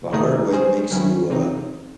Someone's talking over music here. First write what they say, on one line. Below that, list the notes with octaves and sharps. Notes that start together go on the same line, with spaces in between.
the hard way makes you, uh,
D#3 A3 D#4 G#4
G#3 C#4 G#4 C5
D#3 F#3 C#4 E4
C3 E3 C4 D#4